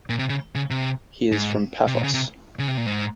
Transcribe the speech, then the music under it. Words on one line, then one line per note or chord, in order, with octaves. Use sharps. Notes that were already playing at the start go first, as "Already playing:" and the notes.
He is from Paphos.
A#2
C3
C#3
C#3
C3
G#2
C3
A#2
C#3
C3
C#3
C3
A#2
G#2